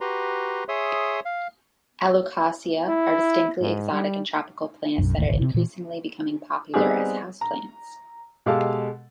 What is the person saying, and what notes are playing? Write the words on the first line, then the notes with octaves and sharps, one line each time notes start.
"Alocasia" are distinctly exotic and tropical plants that are increasingly becoming popular as houseplants.
F#4 G4 B4 A#5 C6
G#4 C#5 E5 C6 D#6
F5
E4
G#2
G3
B1 F#2
G#1 D#2 A2
G#1 C#2
C3 C4
A#2 E3
G3 B3 C4 D#4 G4 G#4
A#5
B2 G#3 G4 A4 F5 A5